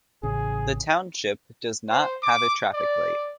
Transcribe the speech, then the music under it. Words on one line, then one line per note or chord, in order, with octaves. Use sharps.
The township does not have a traffic light.
A1 C#3 G#4
C5
D6
D5